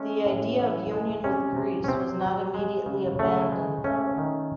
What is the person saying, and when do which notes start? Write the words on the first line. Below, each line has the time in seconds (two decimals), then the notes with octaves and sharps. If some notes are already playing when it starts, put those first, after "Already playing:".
The idea of union with Greece was not immediately abandoned, though.
Already playing: G#3 A3 C#4
0.26 A2
0.59 E3
0.91 G#3
1.24 C3 C#4
1.56 C3
1.84 C#4
1.88 C3 C4
2.21 F#3
2.54 G#3
2.86 C#3
3.19 C#3 A3
3.52 G#3
3.84 A3 C#4
4.18 D#3